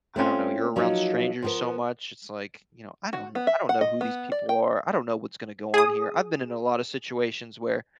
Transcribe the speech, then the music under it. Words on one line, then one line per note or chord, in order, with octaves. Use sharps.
I don't know, you're around strangers so much. It's like, you know, "I don't know I don't know who these people are. I don't know what's gonna go on here." I've been in a lotta situations where
A3 C4 C#4 F4
F3 F#3 A#3 D#4
F3 B3 A#4
F#4
B3
E5
F#5
D#5
B3
D5
G5
G#4 D#6